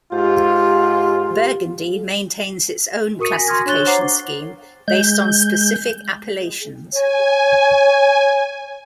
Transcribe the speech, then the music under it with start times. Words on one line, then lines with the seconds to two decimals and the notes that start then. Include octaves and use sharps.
Burgundy maintains its own classification scheme based on specific appellations.
0.12 G#2 F4 G4
3.19 F#4 A#4 C#6 D#6 C#7 D#7
3.34 F#4 G#5 A#6 B6
3.47 C6 C#6 D#6 F6 G#6 A#6
3.65 D4 C#5 C#6 F#6 A6 G7
3.86 C5 C#5 F#5 A#5 D6 C7
4.88 G#3 G6
6.94 C#5 G#5